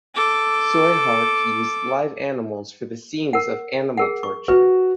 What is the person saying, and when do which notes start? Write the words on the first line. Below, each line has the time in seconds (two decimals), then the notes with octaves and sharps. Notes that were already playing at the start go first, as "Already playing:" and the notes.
Tsui Hark used live animals for the scenes of animal torture.
0.15 A4 D6
3.33 A#4 F#5
3.97 G#4 A#4 F#5
4.23 C#6
4.48 F#4 B4